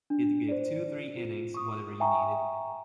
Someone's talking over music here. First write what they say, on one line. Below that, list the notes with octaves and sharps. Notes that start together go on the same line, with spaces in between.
He'd give two, three innings - whatever you needed.
D4
C5 D5
F4
C#6 D#6
E5 G5 G#5 A#5 C#6